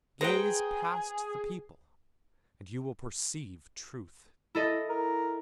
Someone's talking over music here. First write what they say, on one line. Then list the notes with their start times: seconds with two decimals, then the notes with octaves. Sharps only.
Gaze past the people, and you will perceive truth.
0.21 G#4 B4 C5 G5 A#5
4.55 E4 A4 D#5
4.89 A#4